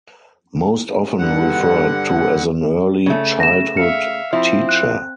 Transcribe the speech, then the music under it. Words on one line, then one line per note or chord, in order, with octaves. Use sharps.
Most often referred to as an early childhood teacher.
G2 D3 F#5
C#3 A3
A#6 E7
E5 F5 C#7
F3 C4 E4
F#6